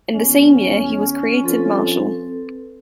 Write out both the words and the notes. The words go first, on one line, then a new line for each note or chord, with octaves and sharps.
In the same year he was created marshal.
E2 C#4
F3 C4 A4 B4